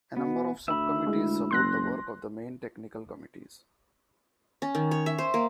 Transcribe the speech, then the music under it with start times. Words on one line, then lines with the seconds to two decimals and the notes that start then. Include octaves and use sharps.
A number of Sub-Committees support the work of the main technical committees.
0.17 B2 B3
0.68 D2 E5 B5
1.07 G#3 E4
1.51 F#1 C6 F#6 A#6
4.62 C#4
4.75 D#3
4.91 C#5
5.06 E5
5.18 C5
5.34 A#3